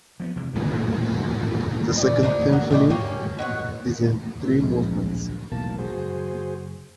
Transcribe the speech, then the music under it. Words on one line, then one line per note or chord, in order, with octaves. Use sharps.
The Second Symphony is in three movements.
F3 A#3 B3
E2 C3 E3 G#3
F2 A#2 D3 F3
A1 B3
G2 A3
D5 D#5
F3 D4 D#4
F#3
A2 A3 D5 D#5
A#3 C#4 G4
B2 C#5 F#5
D1 A#1 F2 G#3
E1 B1 A2 A#3 A5
F#4 G#4 C5
F#1